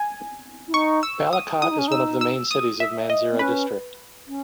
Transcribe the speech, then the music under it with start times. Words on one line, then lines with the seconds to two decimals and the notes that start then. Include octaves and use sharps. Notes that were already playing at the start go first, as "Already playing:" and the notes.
Balakot is one of the main cities of Mansehra District.
Already playing: G#5
0.68 E4
0.73 D#4 C#6
1.03 E6
1.33 D#6
1.62 E4 D#6
1.71 D#4
1.79 C#4
1.88 D#4 E6
2.21 E6
2.51 D#6
2.80 E5
3.10 D#5
3.31 B3
3.39 C#4 B4
4.28 C#4